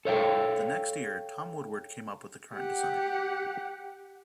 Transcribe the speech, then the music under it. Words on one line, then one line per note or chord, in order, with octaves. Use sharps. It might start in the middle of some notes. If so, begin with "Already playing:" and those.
The next year, Tom Woodward came up with the current design.
A4 C#5 F5 G5
G4 F#5